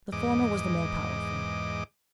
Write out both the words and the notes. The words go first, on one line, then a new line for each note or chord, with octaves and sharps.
The former was the more powerful.
E2 G#2 D#5 D6